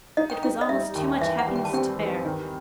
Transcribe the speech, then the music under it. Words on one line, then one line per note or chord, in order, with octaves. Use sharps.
It was almost too much happiness to bear.
D#4 D#5
G5
D#4 G5
D#5
G3 E5
D#2
E3 E5
F#5
G3
G5
A5
C4 G5
E3
D#3